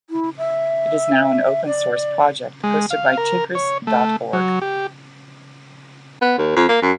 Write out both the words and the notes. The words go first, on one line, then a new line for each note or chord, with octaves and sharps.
It is now an open source project hosted by Tigris dot org.
E4
E5
D5
G#3
F5
A#4
C#5
A3
F#3
G4
B3
D#2
F2
A#3
F#2